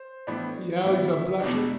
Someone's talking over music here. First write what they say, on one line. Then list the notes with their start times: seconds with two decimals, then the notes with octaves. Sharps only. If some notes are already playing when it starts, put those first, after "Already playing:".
See how he's a-blushing!
Already playing: C5
0.27 A2 E3 B3 D4
0.83 A2 E3 B3 D4 E5
1.13 E5
1.41 E2 B2 G3 D4